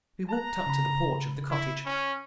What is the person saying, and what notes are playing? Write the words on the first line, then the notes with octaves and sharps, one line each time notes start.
We walked up to the porch of the cottage.
A5 A#5 F#6
C#3 B5
E4
C#4